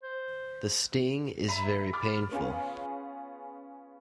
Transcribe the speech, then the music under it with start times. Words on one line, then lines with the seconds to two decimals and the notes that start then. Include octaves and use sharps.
The sting is very painful.
0.03 C5
1.48 E5 A#5 B5 B6 D#7
1.93 B5 D6 F6 A6
2.31 B3 C#4 F4 G#4